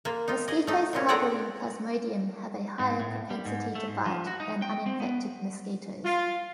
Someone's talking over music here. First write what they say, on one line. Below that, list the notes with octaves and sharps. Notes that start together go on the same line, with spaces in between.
Mosquitoes harboring "Plasmodium" have a higher propensity to bite than uninfected mosquitoes.
A#3 F4
D#4 F4
G#4 D#5
A3 D#4
A#2 C4 C#4
G#4 A4 D5 F#5 G5 A#5
G#2
A2
G3
G#2
A3
G#2
F3
F#4
D#4
G5
C4
B3
F4